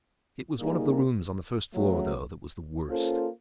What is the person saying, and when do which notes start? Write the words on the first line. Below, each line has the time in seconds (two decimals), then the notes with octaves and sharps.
It was one of the rooms on the first floor, though, that was the worst.
0.60 A#2 G3 A#3 D#4 G#4
1.73 C#3 F#3 A3
2.88 A#3 C#4 F4 A4 C5